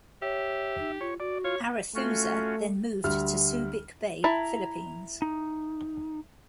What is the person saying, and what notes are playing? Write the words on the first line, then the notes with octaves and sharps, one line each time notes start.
"Arethusa" then moved to Subic Bay, Philippines.
G4 C#5 E5
D#4
F4 C#5
F#4 D5
F4 C#5
A3 C#4 F4 F#4
D2 G3 F6
E4 A5 A#5
D#4